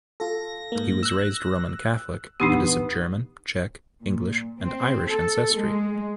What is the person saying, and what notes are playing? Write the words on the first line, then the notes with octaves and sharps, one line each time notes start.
He was raised Roman Catholic, and is of German, Czech, English, and Irish ancestry.
F4 A4 A#6
G#2 A#3
E6 F#6
A#1 E2 B3 D4 D#4 G4 D#6
A#2
C4
A4
G#3